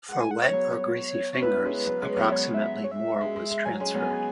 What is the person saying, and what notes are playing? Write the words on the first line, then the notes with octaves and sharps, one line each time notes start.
For wet or greasy fingers approximately more was transferred.
G#3 F#5
G#5
F#5
C#5
F#3 B3
C#4 C#5
B3 E4 B4
G#3 C#4
F#3 B3
G#3 C#4
F#3 B3 E5
G#3 C#4 C#5
E5
E5
C#5
E5
G#3
G#3
G#3
F#3 G#5
G#3 C#4
F#3 B3
G#3